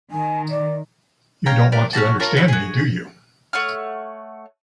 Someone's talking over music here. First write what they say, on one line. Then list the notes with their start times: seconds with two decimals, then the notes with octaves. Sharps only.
You don’t want to understand me, do you?
0.11 D#3 G#5
0.50 D5
1.46 C#5 F5 G5 A#5
1.72 B3 D4 G4 A#4
1.93 C#4 F4 F#4 A5
2.20 F4 A#4 C#5 A5
2.36 E4 F#4 B4
2.48 F#4 G#4
3.53 A3 C#5 F#5 F6